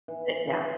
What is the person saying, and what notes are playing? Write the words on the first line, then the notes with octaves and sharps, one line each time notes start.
but yeah.
E3
E3
E3